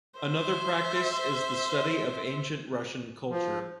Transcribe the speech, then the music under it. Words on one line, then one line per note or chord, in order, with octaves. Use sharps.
Another practice is the study of ancient Russian culture.
C5 E5
F3